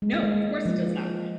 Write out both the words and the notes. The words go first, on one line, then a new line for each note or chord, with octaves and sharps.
No, of course it does not.
G#3
A#3
G#3
G#3
F3